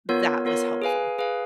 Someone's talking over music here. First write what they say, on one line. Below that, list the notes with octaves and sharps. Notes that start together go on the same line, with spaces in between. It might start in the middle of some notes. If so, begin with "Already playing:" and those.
that was helpful.
B3 F4 A#4 C#5
B3 F4 A#4 C#5
G#4 B4 F5 G#5
G#4 B4 F5 G#5